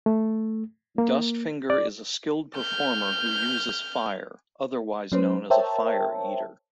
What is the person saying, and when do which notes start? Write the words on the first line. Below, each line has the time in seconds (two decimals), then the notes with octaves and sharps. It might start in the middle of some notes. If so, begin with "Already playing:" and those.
Dustfinger is a skilled performer who uses fire, otherwise known as a fire-eater.
0.06 A3
0.98 A#3
1.70 D5
2.57 F6 G6
5.12 F#3 C#4 B4 C5
5.50 A#4 C5 C#5 E5 G5 A5